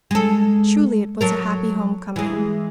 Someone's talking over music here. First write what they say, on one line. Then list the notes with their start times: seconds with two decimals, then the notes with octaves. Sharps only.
Truly it was a happy home coming.
0.11 G#3 A4
1.21 F#3 A4 A#4
2.16 E3 G#3